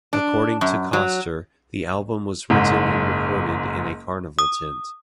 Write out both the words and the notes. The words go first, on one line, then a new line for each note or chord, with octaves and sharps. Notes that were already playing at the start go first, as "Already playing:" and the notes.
According to Koster, the album was written and recorded in a carnival tent.
D4
F#2
F#3
F#1 G#2
D#6